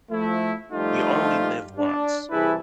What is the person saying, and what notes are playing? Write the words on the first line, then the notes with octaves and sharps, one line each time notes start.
"You only live once,"
F3 A3 E4
F3 G3 A3 D#4 F4 G4
D4
C2 E3 E4 G#4 B4 A5